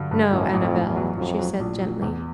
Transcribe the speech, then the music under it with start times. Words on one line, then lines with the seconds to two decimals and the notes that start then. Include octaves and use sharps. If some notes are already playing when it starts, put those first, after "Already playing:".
"No, Annabel," she said gently.
Already playing: G2 D3 F#3
0.11 G2
0.32 A1 F#2
0.53 A1
0.61 F2
0.75 A1
0.90 E2
0.96 F#3
1.17 F2 F#3
1.38 F#3
1.60 A#1
1.81 A#1
2.02 E2